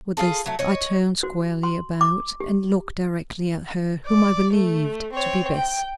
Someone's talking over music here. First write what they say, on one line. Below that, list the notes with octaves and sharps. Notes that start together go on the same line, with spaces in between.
With this I turned squarely about and looked directly at her whom I believed to be Bess.
F4 G#4 A4
F#3 A3
C#5 D#5
F#4
C6
D6
G4
D5
A3
C4 C#5
G5